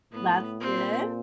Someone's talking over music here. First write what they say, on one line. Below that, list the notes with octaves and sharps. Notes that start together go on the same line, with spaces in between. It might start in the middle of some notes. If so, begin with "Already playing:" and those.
That's good.
A2 B3
A#2 C4